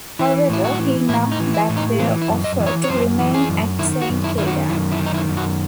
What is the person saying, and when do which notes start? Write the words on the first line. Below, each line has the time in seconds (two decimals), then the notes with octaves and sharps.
However, he knocked back their offer to remain at Saint Kilda.
0.19 E3 E4
0.49 A2 E4
0.64 F#4
0.79 E3
1.09 A2 E4
1.32 D#4
1.40 E3
1.54 E4
1.69 A2
1.77 D#4
1.99 E3 C4
2.21 E4
2.29 F#2
2.44 D#5
2.59 E3
2.67 C#5
2.84 C#5
2.89 F#2 C5
3.19 E3
3.34 G#4
3.49 F#2
3.79 D#3 E4
4.02 F#4
4.09 F#2
4.24 E4
4.38 D#3 E4
4.47 F#4
4.69 F#2 E4
4.92 E4
4.99 D#3
5.06 D#4
5.14 E4
5.29 F#2
5.37 F#4